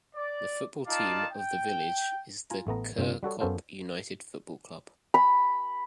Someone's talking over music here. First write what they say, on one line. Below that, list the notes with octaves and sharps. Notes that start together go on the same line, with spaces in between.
The football team of the village is the Kirkop United Football Club.
D5
D#4 F4 D5 F5 A5
G5
F4 G#5 A#5
A1 A3 B3 A#5
G2 C3 C4 F4
G3 F#4 A4 C#5
F#2 B3 C#4 A4 C5 F5
B5